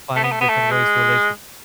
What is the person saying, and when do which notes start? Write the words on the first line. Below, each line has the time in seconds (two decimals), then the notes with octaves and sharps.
finding different ways to relate to
0.16 A3
0.24 B3
0.32 A3
0.41 B3
0.49 A3
0.71 G#3